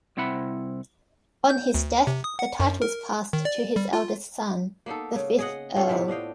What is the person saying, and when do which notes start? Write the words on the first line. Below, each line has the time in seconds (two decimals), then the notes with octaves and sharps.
On his death the titles passed to his eldest son, the fifth Earl.
0.17 C2 C4 E4 F#5 B5
1.50 G6
1.74 D2
2.07 C3
2.24 D#6
2.39 F#5
2.60 F#2
2.82 A#4
3.33 D#3
3.45 D5
3.76 G3
3.93 F4
4.86 A#3 B3 D#4 A4
5.15 C#3
5.39 G#4 D#5 F#5
5.76 G#3 C#4 F4 A4
5.88 A2 C3 B3 C4
6.08 D4 D#5 F5 G5